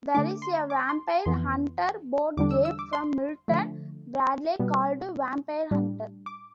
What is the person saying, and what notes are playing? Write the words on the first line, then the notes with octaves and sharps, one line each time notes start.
There is a vampire-hunter board game from Milton Bradley called "Vampire Hunter".
D3 A3 D4 D6
C6
D6
C6
A5
F2 E3 B3 C6
E2 D3 G3 D4 D6
E6
E6
D6
C6
D3 F3 A3
B2 G3 B3
A2 G3 D4
D6